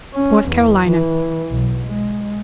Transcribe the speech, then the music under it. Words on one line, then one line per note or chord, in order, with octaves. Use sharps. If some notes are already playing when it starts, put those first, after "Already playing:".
North Carolina.
C#4
E2
E3
B1
G#3